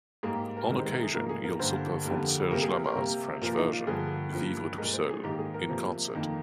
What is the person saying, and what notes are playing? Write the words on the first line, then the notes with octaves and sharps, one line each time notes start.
On occasion he also performed Serge Lama's French version, "Vivre tout seul", in concert.
G#2 G3 A#3 G#4
G4
A#4
C3 D#3 G#3 A#4
C5
A#4
G#4
G#2 F3 A#3 A#4
G#4
A#4
G2 D3 G3 A#3 C5
F2 D3 G3 A#3
C3 G3 A#3 A#4
G#4
A#4
A#4
C3 G3 A#3
A#2 F3 A#3 A#4
D#4
F4
G2 D3 F3 A#3 G#4
G2 F3 A#3
A#2 G#3 A#4
C5
G#4
G#2 D#3 A#3 G4
G#4
A#4
C3 F3 A#3
F2 D#3 A#3